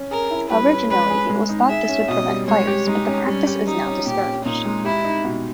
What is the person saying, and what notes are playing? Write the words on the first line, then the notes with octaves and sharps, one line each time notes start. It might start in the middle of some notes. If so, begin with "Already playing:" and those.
Originally, it was thought this would prevent fires, but the practice is now discouraged.
Already playing: C#4
G#4 A#4
E4
G3 B4
C#4
G#3 B4
G#4
G#3
D#4
G#4 E5
C#4
B2 D#5
G3
G#3 C#5
G4
G#3 D#4
C#4
G3 C#4
G4
G3 D#4
C#4
A#2 G4
C#4
A#2 D#4
G#3
E4 G4
D#4
B2